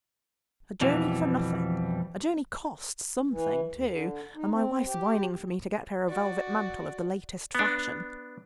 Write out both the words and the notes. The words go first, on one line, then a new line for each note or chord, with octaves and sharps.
A journey for nothing; a journey costs something, too, and my wife's whining for me to get her a velvet mantle of the latest fashion.
F2 B2 E3 G3
E3
D#2
D3
D#4
C4
G4
F#4 D5
B3 D4